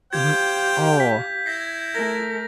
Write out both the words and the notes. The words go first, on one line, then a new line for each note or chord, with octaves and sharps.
Mhm oh.
G4 C5 F5 G5 G#6
G6 B6
E4 G#6 A#6 C7
A3 A#4 A#6